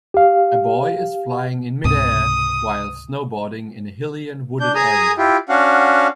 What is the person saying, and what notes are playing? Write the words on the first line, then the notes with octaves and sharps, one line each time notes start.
A boy is flying in midair while snowboarding in a hilly and wooded area.
G4 F5
C#2 G#2 C3 D#6
D4 G6
G#4 G#5 A#5 D#6
E4 F4 G4
C#4 D4 F#4 F5 F#5